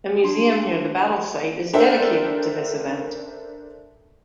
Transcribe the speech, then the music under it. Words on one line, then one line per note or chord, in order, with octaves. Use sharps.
A museum near the battle site is dedicated to this event.
D4 C6
D4 A4 A#4 C5 E5 G5